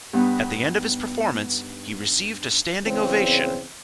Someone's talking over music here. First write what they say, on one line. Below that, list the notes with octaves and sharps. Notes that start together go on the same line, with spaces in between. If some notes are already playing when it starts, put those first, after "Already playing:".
At the end of his performance he received a standing ovation.
G2 B3 D#4
E2 C#3 C4